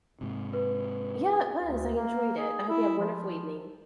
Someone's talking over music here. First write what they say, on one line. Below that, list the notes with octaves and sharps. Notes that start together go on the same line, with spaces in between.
Yeah, it was, I enjoyed it, I hope you have a wonderful evening.
G#2 C3
B4
D2
A#3
G#4
E4
F3